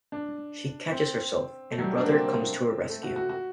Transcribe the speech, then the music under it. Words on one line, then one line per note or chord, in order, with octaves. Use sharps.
She catches herself, and her brother comes to her rescue.
D4
C4
A3
F#3
G3
D4
A#3
C4
A3
F#4
F#4
F#4